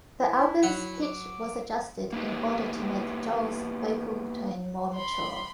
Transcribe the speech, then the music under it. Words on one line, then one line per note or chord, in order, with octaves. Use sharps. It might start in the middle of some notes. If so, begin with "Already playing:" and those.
The album's pitch was adjusted in order to make Joel's vocal tone more mature.
E4
F#3 F#5
D6
A#3 B3 D#4 G4
B5 C6